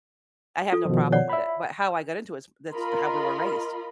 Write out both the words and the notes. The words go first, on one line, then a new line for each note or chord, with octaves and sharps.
I have no problem with it. But how I got into it is that's how we were raised.
F4 A4
B2 D#3 F3
C#5 D5 F#5
E5 B5
F4 A#4 D#5 B5 C6